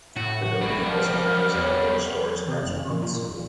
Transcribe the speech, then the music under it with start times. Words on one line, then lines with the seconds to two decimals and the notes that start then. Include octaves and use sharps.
The building also housed outdoor stores and restaurants.
0.16 A2 F#4
0.61 A1 G3 F#4 B5
0.86 F3 A#4
1.55 E2 C#5
2.48 C3
2.62 F#1
2.77 C#3
2.90 A#2
3.02 A#2
3.15 A#2
3.27 D#1